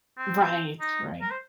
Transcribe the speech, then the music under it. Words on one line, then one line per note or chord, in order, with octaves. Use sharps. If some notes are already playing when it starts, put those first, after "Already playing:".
Right, right.
C4
D#4
A#4
C5